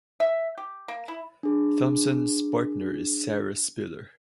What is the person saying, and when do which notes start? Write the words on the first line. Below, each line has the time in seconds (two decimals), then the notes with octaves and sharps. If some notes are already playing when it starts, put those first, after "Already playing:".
Thomson's partner is Sarah Spiller.
0.20 E5
0.58 G4
0.88 A#3
1.08 E4
1.43 D4 G#4